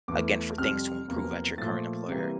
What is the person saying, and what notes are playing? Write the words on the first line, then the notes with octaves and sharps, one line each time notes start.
again, for things to improve at your current employer,
E2 E3 A3 D6
F2 C3 G3 F6
E2 C3 F3 A#3
A#2 F3 A3 A6
C3 E3 G3 A#3